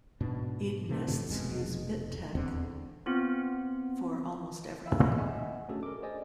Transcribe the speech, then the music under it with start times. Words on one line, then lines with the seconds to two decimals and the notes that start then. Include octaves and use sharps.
Edenists use bitek for almost everything.
0.20 G#2 B2 D4
0.89 C3 E3 A3
1.29 F1 B2 G#3
2.35 D#1 E2 D3 C4
3.06 B3 C4 F4
4.86 E5 F5 G5 B5 E6
5.18 D#5 E5 F#5 G#5
5.68 A3 C#4 D4 F#4 G#4 A4
5.83 A#4 D6
6.02 G#4 C5 D5 D#5 G#5